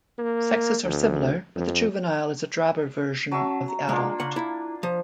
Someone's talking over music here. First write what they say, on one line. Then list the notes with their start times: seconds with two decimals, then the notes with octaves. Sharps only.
Sexes are similar, but the juvenile is a drabber version of the adult.
0.18 A#3
0.84 D2
1.56 F2
3.32 F#3 C#4 E5 A5
3.68 A#5
3.89 G#3 A#3 D4 F4
4.20 C#3 F#5
4.36 E4
4.83 F3 C5